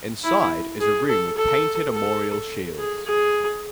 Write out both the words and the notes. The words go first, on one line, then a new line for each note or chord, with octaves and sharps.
Inside is a room with painted armorial shields.
E4
G#4
A4
A4
A4
G#4
G#4